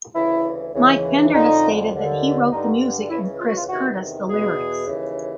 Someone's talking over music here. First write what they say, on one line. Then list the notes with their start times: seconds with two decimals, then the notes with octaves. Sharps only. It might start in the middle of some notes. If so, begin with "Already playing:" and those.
Mike Pender has stated that he wrote the music and Chris Curtis the lyrics.
0.15 D2 C#3 E3 E4
0.74 D#2 C#3 E3
1.33 F2 D3 D#4
1.92 D#2 D3
2.52 G2 D3 D#4
3.10 C#2 C#3 E3 E4
3.40 F4
3.48 F#4
3.56 F4
3.69 E2 C3 D#3 F#4
4.28 E2 B2 G#4
4.87 D#2 C#3 E3